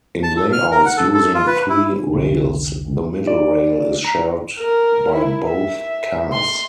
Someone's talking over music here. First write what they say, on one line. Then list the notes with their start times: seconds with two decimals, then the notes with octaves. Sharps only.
In layouts using three rails, the middle rail is shared by both cars.
0.23 A5
0.37 A4
0.53 F6
0.71 A#4
0.86 F#5
0.97 A4
1.14 A4
1.34 F4
1.47 B4
1.69 E4
2.13 F1 C2 D3 C#4
3.27 D5
4.05 A#5
4.59 A#4
5.12 E4
5.48 E5
6.33 C6